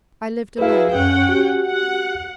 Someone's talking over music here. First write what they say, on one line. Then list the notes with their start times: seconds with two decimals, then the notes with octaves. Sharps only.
I lived alone.
0.59 F#3 E4 G#4 B4 F5
0.95 F#2 C#4 F#5 G5
1.29 F#4 G4
1.65 F#5